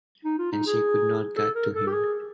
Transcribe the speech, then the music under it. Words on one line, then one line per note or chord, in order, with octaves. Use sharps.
And she could not get to him.
D#4
F4
D#4
G#4
A4
A#4
A4
G4
G#4